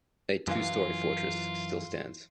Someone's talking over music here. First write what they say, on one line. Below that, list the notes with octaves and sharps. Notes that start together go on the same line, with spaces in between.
A two-story fortress still stands.
F#2 E3 F4 F5